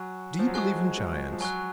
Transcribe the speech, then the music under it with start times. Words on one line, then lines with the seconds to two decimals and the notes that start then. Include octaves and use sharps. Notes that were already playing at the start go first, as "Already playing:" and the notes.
Do you believe in giants?
Already playing: F#3 G#5 C#6 F#6
0.39 F3
0.47 F#3
0.54 G#3 G#5 C#6 F#6
0.98 G#3
1.32 F3
1.40 F#3 G#5 C#6 F#6